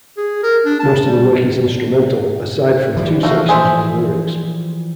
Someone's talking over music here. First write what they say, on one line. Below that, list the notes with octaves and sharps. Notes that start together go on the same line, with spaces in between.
Most of the work is instrumental, aside from two sections with lyrics.
G#4
A#4
D4
A5
G3
E3 F3 G3
A3 F#4 F5
G#4 C5 E5